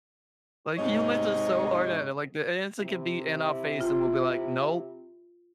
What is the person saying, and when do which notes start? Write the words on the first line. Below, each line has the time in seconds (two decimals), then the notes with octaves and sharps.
Like, humans are so hardheaded, like, the answer could be in our face, and we'll be like, "Nope."
0.78 G#2 C3 C#5 D#5
2.79 C3 E4
3.81 F4